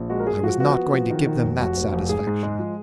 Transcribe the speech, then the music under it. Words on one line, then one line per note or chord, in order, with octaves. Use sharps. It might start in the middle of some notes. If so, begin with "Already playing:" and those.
I was not going to give them that satisfaction.
Already playing: A#1
G#3 F#4
A#4
G#3 G#4
F3 F#4
B3 F#4
B3
F3
D#3
D#3
F1
F1 F#4
F1
F1
G#2 G#4
G#2
G#3
F3